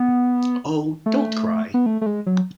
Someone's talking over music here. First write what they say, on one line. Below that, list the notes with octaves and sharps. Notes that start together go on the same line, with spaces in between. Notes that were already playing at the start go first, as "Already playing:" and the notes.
Oh, don't cry!
Already playing: B3
A3
B3
A3
A3
G#3
F#3